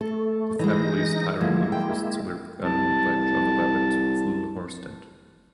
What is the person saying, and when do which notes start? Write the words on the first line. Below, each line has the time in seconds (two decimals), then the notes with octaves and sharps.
The family's iron interests were begun by John Levett of Little Horsted.
0.01 A3 A4
0.59 E3 G#3 D#4 A#6
1.41 D2 F3 G#3 A#3 E4
1.72 G5
2.64 C2 A5